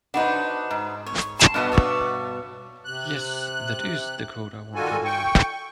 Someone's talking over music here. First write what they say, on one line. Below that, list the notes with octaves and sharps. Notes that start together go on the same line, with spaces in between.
Yes, that IS the coat I want to wear.
D4 D#4 F#4 B4 C5
G#2
C#5
A5 C6
G2 B2 B3 D5 D#5 A5
C#5 D5 E5
C3 F#6
D#3 G3 F4 F#4 A4 G#5
G5 C#6